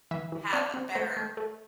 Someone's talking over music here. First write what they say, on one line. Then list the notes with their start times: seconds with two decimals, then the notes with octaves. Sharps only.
have a better
0.11 E3 E5
0.32 E3
0.53 C4 D5
0.74 C4
0.95 A3 C5
1.17 A3
1.37 A3